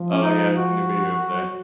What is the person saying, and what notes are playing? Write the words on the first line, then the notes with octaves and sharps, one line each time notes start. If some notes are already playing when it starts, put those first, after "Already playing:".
Oh, yeah, I've seen the video of that.
Already playing: F3
C#4
D#4
F#4
F#3